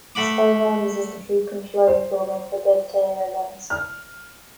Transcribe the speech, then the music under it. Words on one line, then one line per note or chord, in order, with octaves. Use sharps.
SkyMiles is the frequent flyer program for Delta Air Lines.
A3 F#5 B5 D6
C5
F6